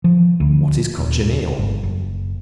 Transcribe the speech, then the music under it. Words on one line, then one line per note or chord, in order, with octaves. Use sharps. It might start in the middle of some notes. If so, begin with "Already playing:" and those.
What is Cochineal?
F3
D2
D#1
G1
F#1